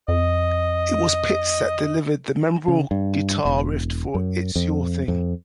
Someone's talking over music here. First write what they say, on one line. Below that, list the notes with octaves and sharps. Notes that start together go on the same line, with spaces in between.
It was Pitts that delivered the memorable guitar riff for "It's Your Thing".
F2 D#5
C#3
G2
E1
F#2
F2
F2